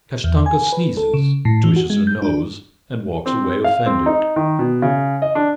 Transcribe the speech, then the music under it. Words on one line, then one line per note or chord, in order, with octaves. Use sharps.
Kashtanka sneezes, twitches her nose, and walks away offended.
E2
G#5
B4
A4
C#3
A2
E3
F#4
G#3
G6
D4
C4
F5
C4
D#4
D#3
B2
C#3
D#5
D4